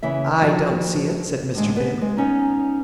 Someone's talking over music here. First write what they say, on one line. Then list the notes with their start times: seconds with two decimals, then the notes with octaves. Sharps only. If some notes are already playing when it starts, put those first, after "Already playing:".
"I don't see it," said Mr. Bib.
0.03 C#3 E3 E4 E5
0.42 F3 F#4 A5
1.54 A2 D3 G#3
1.76 B3 B4
2.01 G#3
2.17 B3 C#4 D#4